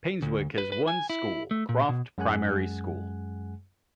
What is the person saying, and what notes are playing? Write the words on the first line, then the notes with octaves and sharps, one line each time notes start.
Painswick has one school, Croft Primary School.
D2
B4
B4
G#5
E4
A3
A#2
B2
F#2 G#3 G#4 F#5 G#5 F#6